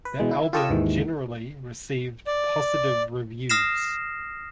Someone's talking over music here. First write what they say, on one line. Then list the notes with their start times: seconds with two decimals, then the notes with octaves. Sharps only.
The album generally received positive reviews.
0.05 B4
0.20 B2 E3 G#3
0.31 E4
0.53 F4 G4 A4 C#5 D#5 E6
0.70 D#2 G#2 D#3 E3
2.27 D5
3.49 D#6 F6 A#6 C7 E7